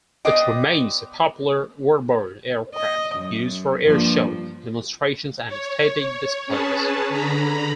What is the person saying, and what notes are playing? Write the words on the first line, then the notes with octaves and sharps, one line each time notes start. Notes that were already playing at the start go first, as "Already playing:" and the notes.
It remains a popular warbird aircraft used for airshow demonstrations and static displays.
B3 C5 D5 D#5 G5
D#5
F#2
G2 F3 A#3
C#5
C#4 G#4 B4 A5
D3 A#5 B5